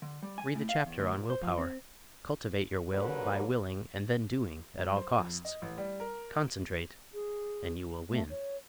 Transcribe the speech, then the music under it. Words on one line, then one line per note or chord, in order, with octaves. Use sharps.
Read the chapter on "Will Power." Cultivate your will by willing and then doing, at all costs. Concentrate--and you will win.
D3
G3
G#5
A2
F5
E2
D2
A#2
C5
F3
C4
D#2 D3 F#3 A#3 B4
F#3
C5
F2
D#5
A1
G3
A#4
G#4
A3
C#5